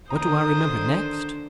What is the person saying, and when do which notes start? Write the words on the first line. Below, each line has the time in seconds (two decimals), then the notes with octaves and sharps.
What do I remember next?
0.10 D3 D#3 D4 C5 A#5 D#6